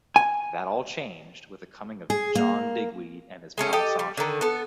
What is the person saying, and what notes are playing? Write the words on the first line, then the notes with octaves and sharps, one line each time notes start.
That all changed with the coming of John Digweed and his pal Sasha.
G#5
G#4
A#3
G#3 A3 C#4
G4 A4 D#5
G3
D3 D#3
B3 A4